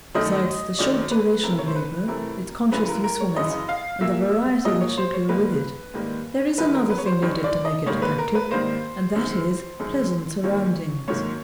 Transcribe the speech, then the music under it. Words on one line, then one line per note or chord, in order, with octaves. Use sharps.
Besides the short duration of labour, its conscious usefulness, and the variety which should go with it, there is another thing needed to make it attractive, and that is pleasant surroundings.
F#2 D#3 F#3 A3 D#5
F#2 D#3 F#3 A3 D5
B4
C3 E3 A3 A#4
C#5
C5
B4
C3 E3 A3 A#4
F#2 C#3 E3 B4
A#4
A#4
C#5
F#2 C#3 E3 D#5
F5
A#2 F#3 A#3 E5
A#2 F#3 A#3 D#5
C#5
C5
C#5
G#2 D#3 G3 A#3 B4
G#2 D#3 G3 A#3
F#2 D#3 G3 B4
A#4
B4
C#5
C5
F#2 D#3 G3 C#5
D5
D#5
G#2 D#3 G3 A#3 C#5
B4
A#4
B4
G#2 D#3 G3 A#3 C5
F#2 D#3 G#3
F#2 D#3 G#3
G#2 D#3 F#3 A#3 C#5
G#2 D#3 F#3 A#3 C#5